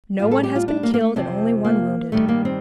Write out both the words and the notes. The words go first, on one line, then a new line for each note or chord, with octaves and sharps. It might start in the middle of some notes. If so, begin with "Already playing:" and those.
No one has been killed and only one wounded.
A2 G3 F4
A4
G4
F4
D4
A#3
A#3
A3
F2 C3 F3 C4
A#3
G2 D#3 G3 A3
A#3
C4